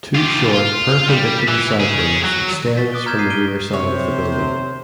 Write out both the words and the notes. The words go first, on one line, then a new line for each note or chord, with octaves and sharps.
Two short perpendicular side wings extends from the rear side of the building.
F4 G4
F4
G3
E3
C#4 G#4
F#3
C#6 A6 B6
D6 D#6 F#6 D7 G7
A#5 F6 G6 G#6 E7
D#6 G#6 B6 C7 D#7
D7 D#7 G7
C3 C5 C#5